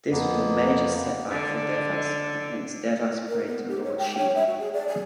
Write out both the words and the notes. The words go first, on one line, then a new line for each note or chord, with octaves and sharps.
This was a major setback for Devas and hence Devas prayed to Lord Shiva.
F2 A#3 B3
D3
A#4
B3
G4
C#5
G5
C#5
E5
F#4
G#4
D5
G#4